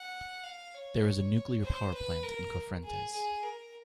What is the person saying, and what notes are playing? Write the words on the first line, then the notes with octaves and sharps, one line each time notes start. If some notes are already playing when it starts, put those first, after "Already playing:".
There is a nuclear power plant in Cofrentes.
Already playing: F#5
F5
C#5
C5
B4
A#4
G#4
G#4
A#4